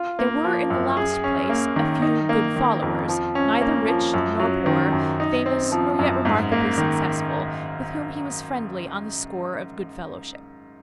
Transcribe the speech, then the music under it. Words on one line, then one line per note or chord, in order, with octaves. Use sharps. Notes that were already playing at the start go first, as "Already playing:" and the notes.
There were, in the last place, a few good followers, neither rich nor poor, famous, nor yet remarkably successful, with whom he was friendly on the score of good-fellowship.
Already playing: F4
A#3
F3
F#2
G#4
C#4
A#3
D#3
D#4
A#3
D#3
F2
F3
C#4
A#3
F3
F#2
F#3
D#3
F#2
D#4
C4
F3
F#2
G#2
A#3
D#3